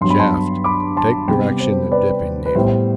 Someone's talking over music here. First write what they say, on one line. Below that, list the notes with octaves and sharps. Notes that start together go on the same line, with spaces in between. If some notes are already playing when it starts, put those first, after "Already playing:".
Shafts: take direction of dipping needle.
G2 F#3 B3 C6
B5
A5 C6
B5 D6
A5 C6
C3 G3 B3 G5 B5
C5
B4 D5
B4
A2 G3 B3 C5